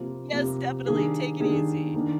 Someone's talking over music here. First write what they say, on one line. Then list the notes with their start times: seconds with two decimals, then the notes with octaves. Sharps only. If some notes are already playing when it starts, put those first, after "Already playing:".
Yes, definitely, take it easy.
Already playing: C3 F3 A#3
0.32 C3 F3 A#3
0.86 D#3 G3 A#3 D4 G#4
1.40 D#3 G3 A#3 D4 G#4
1.94 D#3 A#3 D4